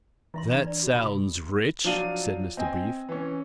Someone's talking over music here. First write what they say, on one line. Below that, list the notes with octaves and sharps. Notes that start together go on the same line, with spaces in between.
"That sounds rich," said Mr. Brief.
E3 E4 E5 C6
C#4 D4 A#5
B4 D5
F#4 D6
C3 F4 G#5 D#6
F3 F#3 D4 F5 D#7
C4 D#5 G5 G#5
E3 C#4